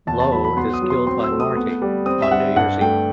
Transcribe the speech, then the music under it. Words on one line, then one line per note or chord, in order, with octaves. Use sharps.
Lowe is killed by Marty on New Year's Eve.
E2 A5
A5
F#3 B5
B5
B3 C6
D#6
F#3
C6
C4 C6
E6
A3
D#6
B3
G3
C4 D#6
E5
G3 F#5
G2 F#5
A3 G5